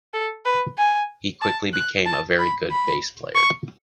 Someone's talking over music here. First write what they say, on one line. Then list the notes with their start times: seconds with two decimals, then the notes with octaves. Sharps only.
He quickly became a very good bass player.
0.14 A4
0.45 B4
0.78 G#5
1.42 A5
1.74 F#6
2.06 A5
2.39 B5
2.71 B5
3.35 C#6